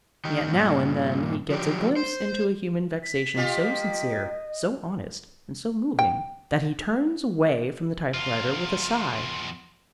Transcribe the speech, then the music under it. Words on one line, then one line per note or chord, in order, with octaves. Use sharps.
Yet now and then he gets a glimpse into a human vexation so sincere, so honest, and so moving that he turns away from the typewriter with a sigh.
D#3 D#4 G4
G2 A#2
F3 F#3 G4
C5
B6
A#3 F4 G4 D#5
G5
E2 F4